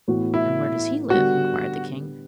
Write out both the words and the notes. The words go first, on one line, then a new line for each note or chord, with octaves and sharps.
'And where does he live?' inquired the king.
A2 E3 B3 F#4
E4
D3 G3 B3 F#4